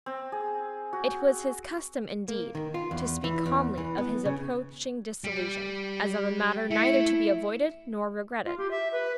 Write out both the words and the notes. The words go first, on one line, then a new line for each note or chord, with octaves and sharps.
It was his custom, indeed, to speak calmly of his approaching dissolution, as of a matter neither to be avoided nor regretted.
C4
G#4
F#4
A#3
D#3
F4
E2
E3
E2
E3
B3
C#3
G3
A3 E4
F4
G4
E5
B4